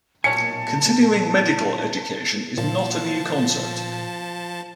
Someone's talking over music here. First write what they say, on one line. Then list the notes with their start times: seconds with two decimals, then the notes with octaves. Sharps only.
Continuing medical education is not a new concept.
0.24 B1 A#2 C#5 G#5 A5 C#7
2.58 A#2 F3 A5